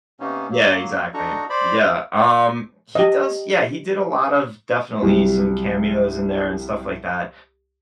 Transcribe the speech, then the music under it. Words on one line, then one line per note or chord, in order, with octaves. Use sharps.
Yeah, exactly. Yeah, um, he does Yeah, he did a lot of definitely some cameos in there and stuff like that,
C3 A#3 B3 C#4 D#4
F#3 A#3
D4 D#4 F#4 A4 A#5 C#6
C5 D5 B5
G4 D#5
C2 F#3 G3